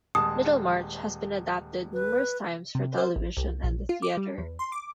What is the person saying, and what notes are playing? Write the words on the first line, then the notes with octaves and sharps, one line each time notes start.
"Middlemarch" has been adapted numerous times for television and the theatre.
D#1 G#3 A5 D#6
B4
C3
C5
A1
C2
A#1
F4
D6
G3
E2
C6
D6